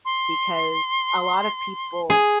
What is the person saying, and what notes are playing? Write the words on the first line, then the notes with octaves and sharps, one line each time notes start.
because a lot of people,
C6
G#4